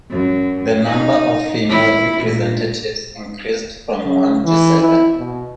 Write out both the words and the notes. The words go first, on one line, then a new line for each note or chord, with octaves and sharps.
The number of female representatives increased from one to seven.
F#2
D#4
E4
A#2
C#3
E3
E4
B2